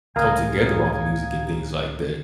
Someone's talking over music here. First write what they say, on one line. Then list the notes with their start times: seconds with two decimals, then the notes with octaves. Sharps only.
come together off music and things like that,
0.16 C#2 A2 A#4 F5 G#5 A#5 D#6